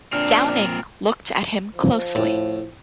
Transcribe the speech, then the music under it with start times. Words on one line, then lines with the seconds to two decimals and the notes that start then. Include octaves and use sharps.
Downing looked at him closely.
0.13 A#2 C4 D4 F6
1.75 F3
2.15 A2